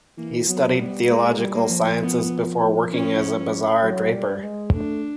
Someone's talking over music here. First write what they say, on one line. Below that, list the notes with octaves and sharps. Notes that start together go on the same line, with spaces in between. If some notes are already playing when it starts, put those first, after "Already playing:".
He studied theological sciences before working as a bazaar draper.
E3 A#3
F#3 B3
G3 B3
G#3 A#3
G3
A#3
F3
B3
C#4
F#3
G3
G#3
A3 D4